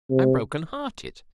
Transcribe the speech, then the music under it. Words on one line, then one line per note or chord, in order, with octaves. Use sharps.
I am broken-hearted.
C3